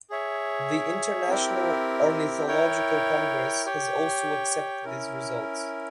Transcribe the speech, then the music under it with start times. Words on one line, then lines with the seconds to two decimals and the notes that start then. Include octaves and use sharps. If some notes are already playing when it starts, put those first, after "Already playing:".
The International Ornithological Congress has also accepted these results.
0.10 G#4 C#5 E5
1.28 C4 E4 G4 A#4
2.47 E4 A#4 C#5 G5
3.66 G4 C#5 G5
4.84 C#4 E4 A#4